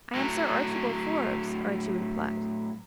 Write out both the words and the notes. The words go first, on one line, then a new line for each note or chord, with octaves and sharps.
"I am Sir Archibald Forbes," Archie replied.
A2 F#3